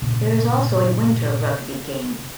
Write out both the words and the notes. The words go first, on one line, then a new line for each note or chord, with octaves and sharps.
There is also a winter rugby game.
G2 A#2 C#3